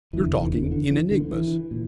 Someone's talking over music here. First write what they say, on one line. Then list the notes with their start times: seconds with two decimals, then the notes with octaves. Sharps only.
"You're talking in enigmas."
0.13 F1 E2 D3 E3
0.43 E3
0.52 D3
0.72 D3
0.92 E3
1.11 D3
1.31 E3
1.71 A#2